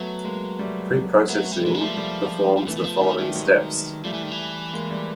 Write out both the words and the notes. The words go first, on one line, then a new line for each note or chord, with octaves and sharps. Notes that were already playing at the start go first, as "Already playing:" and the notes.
Preprocessing performs the following steps.
Already playing: F#3 A3 B3
G#3 A#3
G3 A3
A#3
F#3 A3 B3
A3 B3
G3
E3 G#3 A#3
F3
G3 A3
G3 A3
F3
E3 A3 B3
E3
F3
D#3 G3 A3
D#3 G3 A3
F#3 G#3
F3 G3 A3
E3
D#3
E3
G#3 A#3
G3 A3